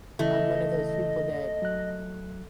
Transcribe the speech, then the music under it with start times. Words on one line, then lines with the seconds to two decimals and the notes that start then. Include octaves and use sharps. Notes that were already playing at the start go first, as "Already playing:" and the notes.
I'm one of those people that
0.19 C#3 E3 A3 E4 D#5
1.62 F#3 F#6